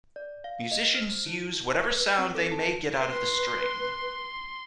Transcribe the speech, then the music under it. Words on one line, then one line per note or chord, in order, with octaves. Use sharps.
Musicians use whatever sound they may get out of the string.
D5
F5
D#5
C5
E4
C#6
B4
C4
A4
A5
B4 C6